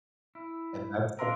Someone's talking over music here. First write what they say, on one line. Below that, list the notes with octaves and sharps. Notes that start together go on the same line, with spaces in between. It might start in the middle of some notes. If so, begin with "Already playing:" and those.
and that's some
E4
D4 A#4 F5 C6 E6